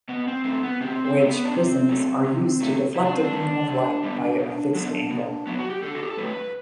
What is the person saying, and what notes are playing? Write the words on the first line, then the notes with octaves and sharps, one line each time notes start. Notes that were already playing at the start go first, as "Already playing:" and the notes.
Wedge prisms are used to deflect a beam of light by a fixed angle.
B2 B3
C4
A3 C4
B3
B2 C4
C4
A3
B3
D4
C3 C4
F#3 A3
C3
F#3 A3
C3 E4
D4
C4
D4
G3 B3
C3
G3 B3
B2
F#3 B3
B2
F#3 B3
F#4
G4
D3 A4
F#4
G4
A4
F#3 A3 B4